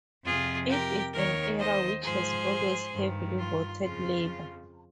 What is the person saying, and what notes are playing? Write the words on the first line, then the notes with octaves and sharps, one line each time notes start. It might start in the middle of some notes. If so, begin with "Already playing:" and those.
It is an area which has always heavily voted Labor.
F2 C3 F3 F4 G#4
G4 A#4
D#2 D#3 A#4 C#5
C5 D#5
G#2 F3 G#4 C5
G2 D#3
F4
F2 C#3 F3 F4